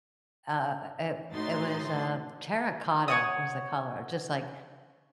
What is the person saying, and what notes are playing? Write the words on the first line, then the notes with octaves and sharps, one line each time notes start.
uh uh uh, it it was, uh terracotta was the color, just, like,
A2 A3 D#4 F#4 C6 A6
C#5 F#5 D#6